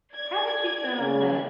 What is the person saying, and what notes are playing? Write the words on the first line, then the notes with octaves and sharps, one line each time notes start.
haven't you found that,
D5 G#6
C#3